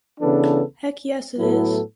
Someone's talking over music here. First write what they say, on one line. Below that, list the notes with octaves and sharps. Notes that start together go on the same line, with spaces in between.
Heck yes it is.
C#3 E3 B3 D4 A4
A2 F#3 B3 E4 A4